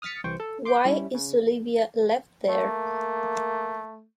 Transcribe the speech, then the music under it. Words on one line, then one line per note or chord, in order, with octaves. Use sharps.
Why is Olivia left there?
D#6 F6 A6 B6 C#7
C2 E3 C5 G5 C#6
A4
C6 D6 G6
G3 C#4 E4
C#3
A3 A#3